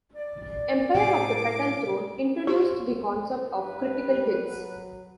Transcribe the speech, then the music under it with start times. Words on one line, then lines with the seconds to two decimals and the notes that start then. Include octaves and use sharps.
"Empire of the Petal Throne" introduced the concept of critical hits.
0.15 D5
0.95 A2 C3 D6
2.47 G4 C5 C#5
3.61 G2 B4
4.06 G3
4.46 F#3